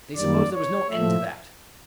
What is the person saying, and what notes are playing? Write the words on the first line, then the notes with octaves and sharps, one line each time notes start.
They supposed there was no end to that.
F#2 D#3 G3 A#3 D5
C#5
A2 F3 A3 E5